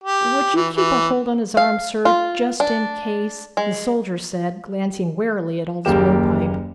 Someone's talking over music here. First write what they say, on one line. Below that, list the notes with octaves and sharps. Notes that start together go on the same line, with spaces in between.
"Would you keep a hold on his arm, sir, just in case," the soldier said, glancing warily at Ulv's blowpipe.
G4
E3
E3
F5
F4
D4
G#3
F#1 D#2 A#3 G4 E7